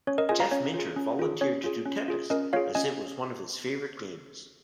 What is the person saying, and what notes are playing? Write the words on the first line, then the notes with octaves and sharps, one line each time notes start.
Jeff Minter volunteered to do "Tempest" as it was one of his favorite games.
C#4 C#5
A#4 D#5
F4 G#4 D#5 G#5
F5 A#5
C#4 C#5
F4 G#4
C#4
F4 G#4
C#4 C#5
F4 G#4
C#4
F4 G#4
C#4 A#4 D#5
F4 G#4 C#5 F5
C#4 D#5 G#5